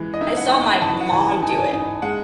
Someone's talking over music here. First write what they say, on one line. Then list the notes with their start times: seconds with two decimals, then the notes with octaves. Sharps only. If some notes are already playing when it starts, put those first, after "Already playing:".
I saw my mom do it.
Already playing: E3 G#3
0.14 D#5
0.21 D#4 E5
0.37 F#5
0.52 D#4 C#6
0.67 B5
0.82 E3 A5
1.01 F#5
1.12 E3 G#5
1.42 D#4 G#5
1.50 A5
1.58 G#5
1.72 D#4 G#5
2.02 G#3 F#5